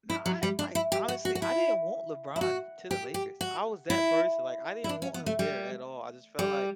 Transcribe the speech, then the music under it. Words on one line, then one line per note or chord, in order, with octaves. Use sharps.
Nah, I, like, honestly, I didn't want LeBron to the Lakers. I was that person like I didn't want him there at all I just felt like
E4
F#3
G3
D4
E4
G4
F#4
F#4
F#4
E4
E4
F#4
G4
G4
F#4
E4
E4
D4
C#4
B3
A3
G3
G3